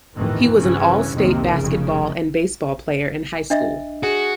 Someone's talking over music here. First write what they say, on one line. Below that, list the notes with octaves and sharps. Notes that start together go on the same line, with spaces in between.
He was an all-state basketball and baseball player in high school.
G1 F2 A2 D#3 E3
G2 C#3 E3 C#4
C2 F2 C3 D#3 F3 A#3
F1 C#3
D4 D#5 E5
F#4 G#4